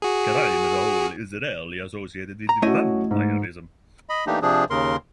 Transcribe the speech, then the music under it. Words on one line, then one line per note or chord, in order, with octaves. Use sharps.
Crime as a whole is rarely associated with vampirism.
F#4 G#4
A#5
A3 C#4 E4 F#4 D#5
G#2
D#5 B5
E3 A3 A#3 D4 D#4 G4
C3 F3 D4 G#4
D#2 C#3 A#4 C6